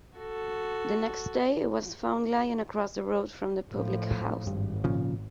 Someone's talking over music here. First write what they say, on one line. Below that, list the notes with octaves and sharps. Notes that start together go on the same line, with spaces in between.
The next day it was found lying across the road from the public house.
F#4 A4
A2 F3
G#1 G2
A#2 C#3 F3